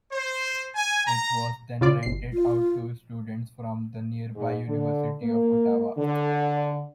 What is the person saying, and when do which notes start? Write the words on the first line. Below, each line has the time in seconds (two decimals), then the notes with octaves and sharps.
It was then rented out to students from the nearby University of Ottawa.
0.12 C5
0.75 G#5
1.07 A#5
1.81 C#3 F4 D5
2.03 G1 C7
2.33 F4
4.36 G#2
4.68 D3
5.22 A#3
5.98 D3